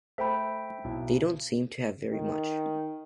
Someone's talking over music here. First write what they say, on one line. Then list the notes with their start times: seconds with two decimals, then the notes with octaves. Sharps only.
They don't seem to have very much.
0.18 A3 C5 E5 G5 B5
0.84 B1 E4
2.11 D#3